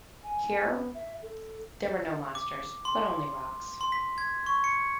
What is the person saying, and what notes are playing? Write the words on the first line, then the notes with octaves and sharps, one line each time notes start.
Here, there were no monsters but only rocks.
G#5
B3
E5
A4
D6
C6
C6
B6
G#6
C#6
C#7